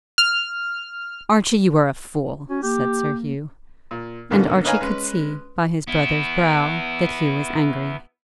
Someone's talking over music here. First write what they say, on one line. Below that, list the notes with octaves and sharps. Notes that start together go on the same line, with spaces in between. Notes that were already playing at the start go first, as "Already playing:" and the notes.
"Archie, you are a fool," said Sir Hugh; and Archie could see, by his brother's brow, that Hugh was angry.
F6
C#4 F#4
A#3 G4
A#2
G#2 B2 D3 D#3 A#3 C#4
D#4 B4 C#5 F5 G#5 A#5
G#3 C#4 B4
B3 E4